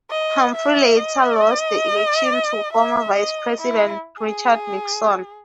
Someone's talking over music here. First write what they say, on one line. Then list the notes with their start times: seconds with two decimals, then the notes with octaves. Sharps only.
Humphrey later lost the election to former vice president Richard Nixon.
0.11 D#5
0.54 E5
0.98 D#5
2.73 E5
3.16 D#5
3.61 E4
4.19 G#4